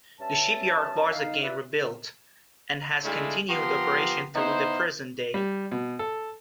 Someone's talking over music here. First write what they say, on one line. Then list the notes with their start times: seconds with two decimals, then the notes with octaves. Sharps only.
The shipyard was again rebuilt, and has continued operation through the present day.
0.19 G2 C#4 E5 A5
1.13 D#4 F5
1.42 E4 F4 G4 B4 D5 E5
3.04 G#3 A3 D4 E4 F4
3.49 F3 B3 G4 A#5 C6
4.34 B3 D#4 E4 C5
5.34 G3
5.72 B2
5.99 A4